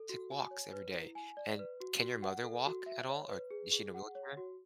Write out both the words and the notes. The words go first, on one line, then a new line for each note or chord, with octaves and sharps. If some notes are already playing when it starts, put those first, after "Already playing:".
take walks every day. And can your mother walk at all, or is she in a wheelchair?
Already playing: A4
F#4
G#5
C#5
B4
E4
G#5
D5
B4
F#4
F#4
F#5
A4
F#4
E5
C#5
B4
G#4
G#4
F#5
C#5
F#4